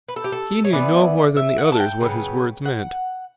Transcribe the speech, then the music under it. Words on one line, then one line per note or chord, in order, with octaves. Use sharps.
He knew no more than the others what his words meant.
B4
A4
G4
A4
C#5
E3 B3 D5
E5
F#5
A5
G5
C#3 F#3 B3
F#5